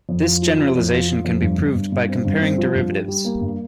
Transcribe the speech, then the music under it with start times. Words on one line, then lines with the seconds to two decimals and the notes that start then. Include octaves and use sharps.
This generalization can be proved by comparing derivatives.
0.09 F2
0.26 F4
0.42 F3
0.59 F3
0.76 F2
0.92 F4
1.08 F3
1.25 F2
1.42 G2
1.58 G2
1.75 G2
1.92 G2
2.09 C4
2.25 G2
2.41 C4
2.58 F3
2.75 G2
2.91 G3
3.08 G3
3.25 A#3
3.41 G2